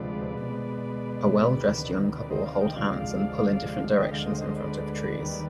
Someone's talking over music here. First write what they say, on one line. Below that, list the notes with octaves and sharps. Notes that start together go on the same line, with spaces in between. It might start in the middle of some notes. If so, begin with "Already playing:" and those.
A well dressed young couple hold hands and pull in different directions in front of trees.
Already playing: D2 C3 F3 G#3 B4 D5
B2 G#3
D2 C3 D#3
B4 D5
C5 D#5
D5 F5
D#5 G5
D2 C3 F3 G#3 D5 F5
D2 D3 G#3 D#5 G5
D5 F5
C5 D#5
C5 D#5
B4 D5
D#2 D#3 G3